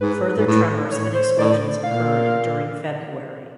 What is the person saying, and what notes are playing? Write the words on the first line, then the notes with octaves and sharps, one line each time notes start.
Further tremors and explosions occurred during February.
G#2 B4
G#2
A2
A2 C#5
C5
A2 D5
A#2 F5